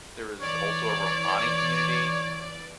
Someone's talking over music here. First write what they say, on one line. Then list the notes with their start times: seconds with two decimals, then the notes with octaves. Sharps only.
There is also a Romani community.
0.41 E3 C#5 D5